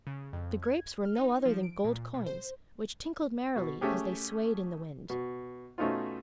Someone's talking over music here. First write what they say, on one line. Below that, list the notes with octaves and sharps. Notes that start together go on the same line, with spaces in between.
The grapes were no other than gold coins which tinkled merrily as they swayed in the wind.
C#3
F2
G#6
F6
D#4
F3
D7
A#2
B2
C5
B2
A3 C#4 G4 G#4
B2
B2 A3 C#4 D#4 F4